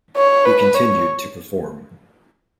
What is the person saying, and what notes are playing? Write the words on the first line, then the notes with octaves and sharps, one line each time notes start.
He continued to perform.
C#5
B4
C#5